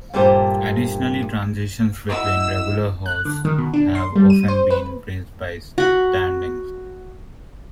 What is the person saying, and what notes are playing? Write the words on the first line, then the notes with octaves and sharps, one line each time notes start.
Addotionally, transitions between regular hosts have often been bridged by stand-ins.
G2 A#2 A3 G4 C5
E4 F#4 D#5 E6
F#6
D3
D#3
B2
D4
C6
G3
D#7
C5
B4
F#4 B5